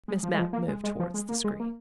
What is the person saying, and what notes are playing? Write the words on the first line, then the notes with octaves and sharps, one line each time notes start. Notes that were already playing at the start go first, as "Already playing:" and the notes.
Miss Mapp moved towards the screen.
G#3
F3
G#3
F3
A#3
G#3
G#3
F3
G#3
A#3
G#3
A#3